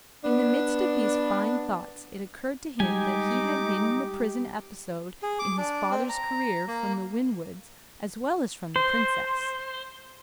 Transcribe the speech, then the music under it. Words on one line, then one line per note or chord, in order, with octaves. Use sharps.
In the midst of these fine thoughts it occurred to him that he had hidden the prison episode in his father's career from the Winwoods as well as from the Princess.
B3 D4
G3 G#3 D#4 G4 G#5 D6
G#4
D6
D4
C4
A#5
A#3
C5